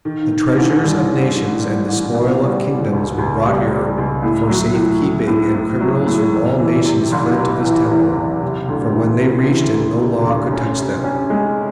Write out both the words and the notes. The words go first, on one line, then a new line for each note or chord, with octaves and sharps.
The treasures of nations and the spoil of kingdoms were brought here for safe keeping and criminals from all nations fled to this temple, for when they reached it no law could touch them.
D#3
D#3
A1
G2
G2
A1
G2
A1
B2
G3
G3
C#2
C#2
G3
G3
C#2
A2
F#3
A2
F#3
A2
A2
F#3
A2
E2
E3
C3
F#1
C3
E3
E2
F#1
C3
D2
E3
C3
E3
D2
C3
D2
C#4
C3
C#4
G#3